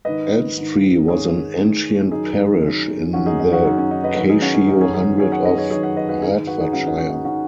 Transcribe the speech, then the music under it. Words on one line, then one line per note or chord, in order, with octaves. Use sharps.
Elstree was an ancient parish in the Cashio Hundred of Hertfordshire.
G#2 D#3 B4 D#5
G#2 D#3
G#2 D#3 G#4 C#5
G#2 D#3
F#2 D#3 D#4 G#4
F#2 D#3
F#2 D#3 C#4 F#4
D#4 G#4
D#4
C#4 F#4
F#2 D#3 D#4
C#4
D#4
B4 D#5
F#2 D#3 F#4 B4
D#4 G#4
C#4 F#4
C#4
F#2 D#3 D#4
G#4 C#5
G#4 C#5
F#2 D#3 G#4 C#5
C#5 F#5
B4 D#5
G#4 C#5
F#2 D#3 G#4 C#5
C#5 F#5
B4 D#5
F#4 B4
G#2 D#3 D#4 G#4
F#4 B4
D#4 G#4
G#2 D#3 C#4 F#4
D#4
C#4
D#4
D#3 C#4 F#4